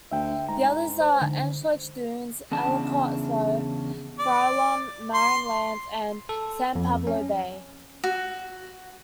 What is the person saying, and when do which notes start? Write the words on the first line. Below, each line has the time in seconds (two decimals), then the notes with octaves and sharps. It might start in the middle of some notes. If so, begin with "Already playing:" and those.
The others are: Antioch Dunes, Ellicott Slough, Farallon, Marin Islands, and San Pablo Bay.
0.11 D2 E5 G5
0.49 G#2 A#5
1.00 C5
1.21 D3
2.52 E2 C#3 D4 A5
4.19 D5
5.14 C6
6.29 A4
6.75 F2
7.07 C#4
8.04 F#4